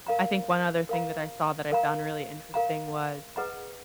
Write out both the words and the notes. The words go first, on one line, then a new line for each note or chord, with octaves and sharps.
I think one other thing that I saw that I found really interesting was,
A#4 F5 A#5
A#4 F5 A#5
A#4 F5 A#5
A#4 F5 A#5
G#4 B4 D#5 F#5 A#5